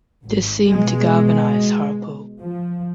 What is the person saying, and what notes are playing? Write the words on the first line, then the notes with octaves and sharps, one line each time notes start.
This seemed to galvanise Hartlepool.
G#1
B2 G#3
F3